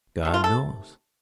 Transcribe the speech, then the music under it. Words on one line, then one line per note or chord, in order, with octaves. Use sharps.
God knows!
C3 D#3 A3
F4
A4